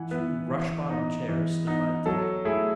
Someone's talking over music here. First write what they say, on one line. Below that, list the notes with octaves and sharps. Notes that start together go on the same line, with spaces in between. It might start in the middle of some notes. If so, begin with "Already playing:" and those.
Two rush-bottom chairs stood by the table.
Already playing: E3 E4 F#5 G#5
B3 E4 B4
E3
B3 D#4
E3
B3 D#4
F#3 A4
A3 E4 G#4